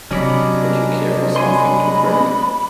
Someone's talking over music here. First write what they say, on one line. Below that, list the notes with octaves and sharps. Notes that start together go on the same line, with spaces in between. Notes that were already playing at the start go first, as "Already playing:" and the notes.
Would you care for something to drink?
C3 F#3 C#4 D4 D5 D#5 A#5 B5
C#5 G#5 B5 C6